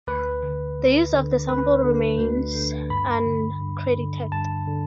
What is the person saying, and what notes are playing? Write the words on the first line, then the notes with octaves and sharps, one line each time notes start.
The use of the sample remains uncredited.
D2 B4
D3
D2
D3
D2 B4
D3
D2
D3
G2 B5
D3
G2
D3
G2 A5
D3